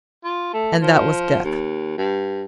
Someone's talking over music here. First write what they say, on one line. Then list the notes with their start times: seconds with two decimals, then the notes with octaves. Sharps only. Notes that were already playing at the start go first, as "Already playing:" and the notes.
And that was death!
0.24 F4
0.53 A3
0.82 F3
1.44 D#2
1.98 G2